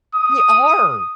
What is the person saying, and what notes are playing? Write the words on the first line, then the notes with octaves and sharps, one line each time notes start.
They are.
D#6